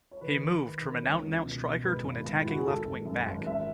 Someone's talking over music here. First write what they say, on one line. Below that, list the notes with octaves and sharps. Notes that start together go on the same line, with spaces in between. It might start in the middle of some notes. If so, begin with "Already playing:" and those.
He moved from an out and out striker to an attacking left wing back.
C#5
D#3 B4
D#3
D#3
D#3
C#2 C#5
C#2
B2
B2
G#2 B4
G#1
G#1
E4
G#1 F#4
G#4
G#1 A4
G#1
F#2
G#1
G#1 E5